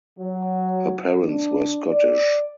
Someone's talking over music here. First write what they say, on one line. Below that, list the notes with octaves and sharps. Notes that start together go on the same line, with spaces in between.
Her parents were Scottish.
F#3
D4
D5